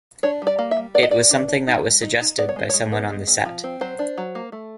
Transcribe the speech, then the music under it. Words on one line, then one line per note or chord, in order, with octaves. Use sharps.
It was something that was suggested by someone on the set.
D4 C#5
G3 D5
A#3
E5
G3
B3 D5
D#5
B3 D5
D4
D4
D#4
G#3
D#4
D#4
B3 D5
C#5
G#3 C5
G#3 C#5
B3
G#3
C4
F3
C4
F#3 C5
D4
F#3
A#3
A3